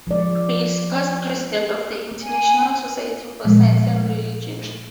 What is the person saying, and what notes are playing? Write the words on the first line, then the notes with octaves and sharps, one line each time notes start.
He is a past President of the International Society for Science and Religion.
F3 G#3 D5
G#5
A#2 F3 G#3